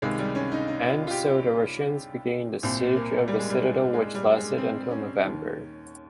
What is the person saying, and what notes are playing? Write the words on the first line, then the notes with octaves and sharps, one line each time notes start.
And so The Russians began the siege of the citadel which lasted until November.
C#2 C3 D#3 G#3
G3
C#4
D#4
D#4
F4
F4
G4
C2 A#2 C4
A#3
G3
G#3
G3
G#3
G#3
G3
G#3
C4
C#4
D#2 D#3